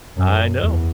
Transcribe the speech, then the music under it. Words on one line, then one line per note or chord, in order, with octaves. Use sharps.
I know.
F#2
E2